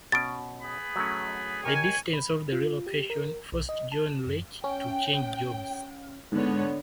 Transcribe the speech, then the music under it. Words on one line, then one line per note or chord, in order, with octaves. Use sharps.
The distance of the relocation forced John Lech to change jobs.
B2 C#4 A6 D7
B3 G#4 B5
F#3 A3 C#4
G4 A#4 C#5 D#5 G#5
B5
F4
G4
A#4
B1
D#5
A5
F#2
C#4 G5
G#2 D3 B3 C#5